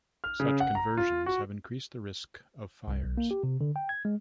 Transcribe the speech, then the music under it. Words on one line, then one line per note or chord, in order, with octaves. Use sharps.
Such conversions have increased the risk of fires.
F6
C#3
F#5
A#5
F4
F#4
C2
B1
A#3
G4
C3
D3
G5
G#6
G#3